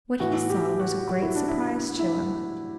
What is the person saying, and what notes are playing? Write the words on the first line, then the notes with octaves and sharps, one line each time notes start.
What he saw was a great surprise to him.
A2 E3 F#4
G4
F#4
F#4
E4
D4
E4
E4